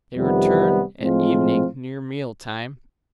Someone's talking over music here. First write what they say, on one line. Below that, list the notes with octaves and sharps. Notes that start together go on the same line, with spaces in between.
They return at evening near meal time.
F2 C3 D#3 G3 B3
A2 F3 G#3 C4 F4